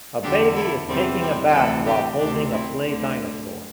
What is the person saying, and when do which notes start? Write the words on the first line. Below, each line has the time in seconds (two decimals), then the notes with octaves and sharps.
A baby is taking a bath while holding a play dinosaur.
0.23 E2 D3 D4 G4
0.56 E4 A4
0.88 E2 C3 E3 G3 C4
1.21 G3 C4
1.53 D2 C3 E3 E4 A4
1.86 D4 G4
2.19 D2 C3 E3 D4 G4
2.51 C4 E4
2.84 D2 D3